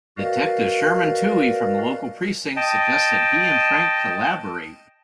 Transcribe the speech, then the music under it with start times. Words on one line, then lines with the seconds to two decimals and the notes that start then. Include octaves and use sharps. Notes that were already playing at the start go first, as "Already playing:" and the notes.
Detective Sherman Touhey from the local precinct suggests that he and Frank collaborate.
0.17 F#4 A#4 B4 D5 D#5 F5
2.56 D#5 G5 A5